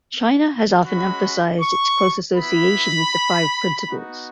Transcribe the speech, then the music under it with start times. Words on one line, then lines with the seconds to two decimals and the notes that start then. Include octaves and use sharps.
China has often emphasized its close association with the Five Principles.
0.85 G#3 C#4 F#4 B5
1.61 C#6
2.37 B3 E4 B5
3.88 B3 D#4 F#4